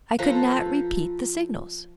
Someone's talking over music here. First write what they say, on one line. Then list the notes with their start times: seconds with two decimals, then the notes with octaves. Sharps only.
"I could not repeat the signals."
0.19 F3 A4 B4 A#5